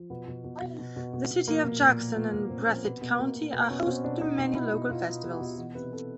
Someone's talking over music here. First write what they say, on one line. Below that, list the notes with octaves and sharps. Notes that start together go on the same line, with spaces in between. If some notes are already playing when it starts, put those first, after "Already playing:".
The city of Jackson and Breathitt County are host to many local festivals.
Already playing: F3
B2 B3
B2
B2
B2
B2
B2
B2
B2
F3 A#3
A#2
A#2
F3
F3 B3
A#2
A#2 C4
C#4
F3 C4
B2 B3
B2
B2 A#3
B2
B2 B3
B2 C#4
B2 C4
B2 D4
B2 D#4
B2
B2 E4
B2
B2 F4
B2
B2 G4
F#4
B2 F4
F#4
E3 F#4
C3 B4
C3 A4